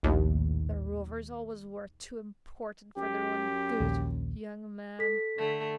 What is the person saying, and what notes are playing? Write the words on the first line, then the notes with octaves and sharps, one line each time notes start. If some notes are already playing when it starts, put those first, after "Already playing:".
"The Rovers always were too important for their own good, young man."
A#1 D#2 A2
F#2 G4
A#1 D#2
A4 B6
D3 A3